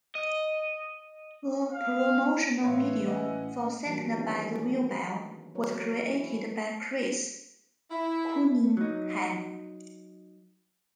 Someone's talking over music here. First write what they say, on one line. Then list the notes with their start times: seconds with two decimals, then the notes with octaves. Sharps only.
A promotional video for "Second Bad Vilbel" was created by Chris Cunningham.
0.15 D#5
1.72 F5
2.64 A1 E3 C#5 F5 C6
3.07 C#4 D#5 F#5
3.85 E3 F#3 G3 A#3 C#4
4.16 D#3 G#3 B3 C#4 D4 E4
5.55 F#3 A#4 C#5
6.09 C#4 E4
7.90 E4
8.77 F#3 D#4